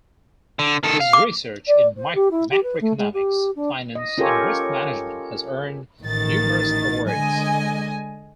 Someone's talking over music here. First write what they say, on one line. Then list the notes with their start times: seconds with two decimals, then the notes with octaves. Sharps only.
His research in macroeconomics, finance, and risk management has earned numerous awards.
0.59 D3
0.83 D#3 A4
1.01 F5
1.13 D6
1.67 D5
1.97 C5
2.15 G4
2.31 E4
2.51 G4
2.63 B4
2.81 A3
2.98 G#3
3.13 G4
3.55 D4
3.95 D#5
4.18 C#4 F4 G4 A4 A#4 C#5
6.02 A1 D#3 A6
7.08 D3 G#3 D#5 G#5